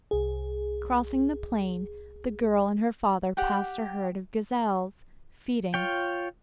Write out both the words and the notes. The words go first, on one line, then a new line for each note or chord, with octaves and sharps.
Crossing the plain, the girl and her father passed a herd of gazelles feeding.
C2 G#4
G4 F#5 G5
F4 C#5 G5